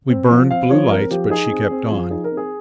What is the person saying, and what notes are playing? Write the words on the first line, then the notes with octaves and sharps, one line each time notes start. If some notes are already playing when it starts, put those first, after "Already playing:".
We burned blue lights, but she kept on.
C4
F3
C4 F5
F3 C#5
C4 A#4
F3 G4
D#4 G#4
C4
C4
F3
D#4 G#4
A#4
C4
G#4